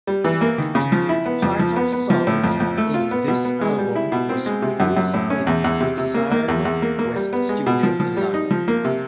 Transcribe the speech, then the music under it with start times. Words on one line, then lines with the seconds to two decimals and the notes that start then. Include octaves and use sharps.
Part of songs in this album was produced in Sarm West Studio in London.
0.07 G3
0.24 E3
0.41 A#3
0.58 D#3
0.75 C#3
0.92 F3
1.09 E4
1.26 B3
1.42 F2
1.59 F3
1.76 B3
1.93 B3
2.10 F3
2.27 A2
2.44 F2
2.60 F2
2.77 A3
2.94 F4
3.11 B3
3.28 B2
3.45 B3
3.61 G#3
3.78 G3
3.95 E4
4.12 B2
4.29 C4
4.46 G#3
4.62 C3
4.80 F#2
4.97 F#2
5.14 A2
5.30 C#4
5.47 E2
5.64 E2
5.81 C3
5.98 C3
6.14 A#3
6.31 A#3
6.48 E2
6.65 E2
6.82 A#3
6.99 A#3
7.16 G3
7.33 B3
7.49 G#3
7.66 B2
7.83 F3
8.00 F3
8.17 G3
8.34 D#4
8.51 F3
8.68 A#3
8.85 C3